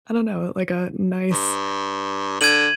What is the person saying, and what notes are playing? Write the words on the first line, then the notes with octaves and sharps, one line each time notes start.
I don't know, like a nice
G2
D3 G#6 D#7 F#7